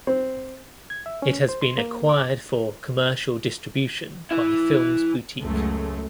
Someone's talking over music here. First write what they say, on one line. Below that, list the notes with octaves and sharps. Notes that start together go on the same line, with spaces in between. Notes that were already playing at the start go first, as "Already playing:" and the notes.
It has been acquired for commercial distribution by Films Boutique.
C4
G#6
E5
C#4
C5
C6
A#3
D6
E3 E4
C#2 F#2 F#3 G#3 A3